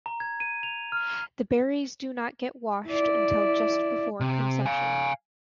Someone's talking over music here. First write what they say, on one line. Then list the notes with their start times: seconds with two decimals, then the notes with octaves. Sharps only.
The berries do not get washed until just before consumption.
0.06 A#5
0.20 G#6
0.40 D#7
0.63 F7
0.92 F6
2.87 E4 D5
4.20 C3
4.66 F5 G#5